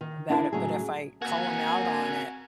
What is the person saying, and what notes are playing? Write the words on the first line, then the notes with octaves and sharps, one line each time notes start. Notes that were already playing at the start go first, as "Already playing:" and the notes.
about it, but if I call 'em out on it,
D#3
D4 E4 G#4 A#4 C5 C#5
A2 C#3 F#3 G3 A3 G#4
A#3 C4 F#4 A#4 G#5 G#6